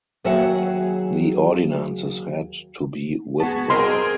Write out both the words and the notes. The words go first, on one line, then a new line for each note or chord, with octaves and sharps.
The ordinances had to be withdrawn.
D#2 F#3 G#4 E5 F#5
B3 F#4 G#4 A5
C4 G#4 A#4 D#5 C6